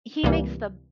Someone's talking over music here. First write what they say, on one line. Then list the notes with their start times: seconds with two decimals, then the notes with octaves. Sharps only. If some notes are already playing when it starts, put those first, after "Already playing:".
he makes the
0.23 C#2 C3 E3 G3 A#3